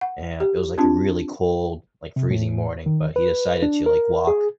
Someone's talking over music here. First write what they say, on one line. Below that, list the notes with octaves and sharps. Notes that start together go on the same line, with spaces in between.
and it was, like, a really cold, like, freezing morning, but he decided to, like, walk
F#5
G4
C4 D4 F4 A5
C3
A2
D#3
B4
D4
A#4
G#4